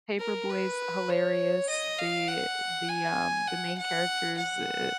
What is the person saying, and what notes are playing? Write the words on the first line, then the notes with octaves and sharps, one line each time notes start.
Paper Boy is hilarious, the the, um the main characters, uh,
A#4
B4
C#5
D#5
F5
F#5
G#5
F#5
F#5
F#5